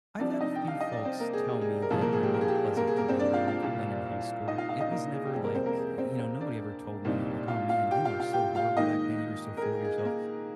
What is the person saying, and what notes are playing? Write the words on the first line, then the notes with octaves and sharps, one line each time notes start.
I've had a few folks tell me that I'm more pleasant to be around, than in high school. It was never like, y you know, nobody ever told me, like, "Oh, man, you were so horrible back then, you were so full of yourself."
C2 C3 F3 C4 D4 D5
D4 D5
D#4 D#5
G5
F5
D#5
D5
C4 C5
A#3 A#4
G#4
G4
G#4
A#4
C2 A#2 F3 G#4
A#3 A#4
G#4
G4
A#4
G#4
G4
G#4
A#3 A#4
G#4
A#3 A#4
C4 C5
D4 D5
F4 F5
F4 F5
C2 A#2 G3
D#4 D#5
F4 F5
F4 F5
D#4 D#5
A#3 A#4
G#4
G4
F2 C3 G3 C4 G#4
A#3 A#4
C4 C5
A#3 A#4
G#4
C4 C5
C4 C5
D4 D5
C2 A#2 G3 C4 D#4
F4 F5
F4 F5
G4 G5
F4 F5
F4 F5
G4 G5
F4 F5
G#2 D#3 A#3 D#4 D#5
A#4
G#4
G#4
G#4
A#3 A#4